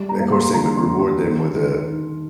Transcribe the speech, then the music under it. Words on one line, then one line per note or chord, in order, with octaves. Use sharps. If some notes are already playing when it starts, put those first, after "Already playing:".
of course, they would reward them with a
Already playing: G3
A#5
A#3
C6
D3 A#5
C6
D3
C6
D#3
D#3
D#3